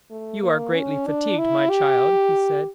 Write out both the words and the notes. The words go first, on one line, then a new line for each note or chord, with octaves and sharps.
"You are greatly fatigued, my child," he said.
A3
A#3
C#4
D4
E4
G4